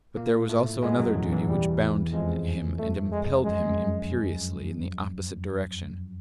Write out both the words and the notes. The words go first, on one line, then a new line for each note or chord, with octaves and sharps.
But there was also another duty which bound him and impelled him imperiously in the opposite direction.
A#2 A#3
A2 A3
B2 G#3 B3
F#2 F#3
E2 E3
E2 E3
G3
F2 F3 G#3
A3
G#3
F#2 F#3 G#3